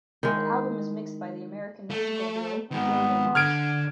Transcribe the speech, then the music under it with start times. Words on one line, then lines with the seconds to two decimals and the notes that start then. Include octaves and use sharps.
The album is mixed by the American musical duo Gilligan Moss.
0.23 D#3 G#3 E4
1.90 A3
2.71 D#3 G#3 B3
3.35 D3 F6 G#6 D7